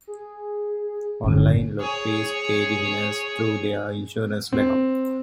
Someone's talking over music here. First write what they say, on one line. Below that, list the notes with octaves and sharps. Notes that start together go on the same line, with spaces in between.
Online lotteries pay the winners through their insurance backup.
G#4
G1 A2 D3 C#4
G#4 C#5
C4